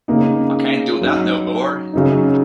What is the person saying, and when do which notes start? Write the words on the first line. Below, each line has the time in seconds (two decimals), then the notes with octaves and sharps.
I can't do that no more.
0.08 C#3 A#3 D#4
1.01 F#3 D#4
1.93 C#3 F#3 D#4